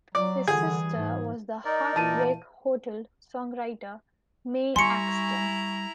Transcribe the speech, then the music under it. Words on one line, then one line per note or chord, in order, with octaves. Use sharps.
His sister was the "Heartbreak Hotel" songwriter Mae Axton.
F#3 D5
D3 E3 G3 G#4
G#2
D#4 A#4 D5 D#5
A#2 E3 A5 D#7
G3 E4 G#5 A#5 C6 C#6 C#7